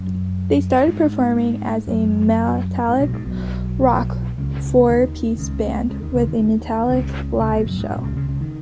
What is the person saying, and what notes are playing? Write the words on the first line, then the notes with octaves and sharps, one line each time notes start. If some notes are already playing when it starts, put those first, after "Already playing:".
They started performing as a melodic rock four-piece band with a manic live show.
Already playing: F#2
G#2
F#2
G#2
B1 B2
G#2
B1 B2
C#2 C#3
D#2 D#3
C#2 C#3
C#2 C#3
D#2 D#3
C#2 C#3
D#2 D#3
C#2 C#3
C#2 C#3
B1 B2
F#2
G#2
B2
C#2 C#3
C#2 C#3
C#2 C#3
D#3